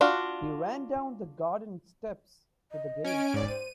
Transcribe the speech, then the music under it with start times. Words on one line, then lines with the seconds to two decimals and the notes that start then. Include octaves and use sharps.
He ran down the garden steps to the gate.
0.01 D4 F4 F#4
2.72 D#5
3.04 C#4 G#5 D7
3.34 G#2 C#5 D5
3.48 C5 D#7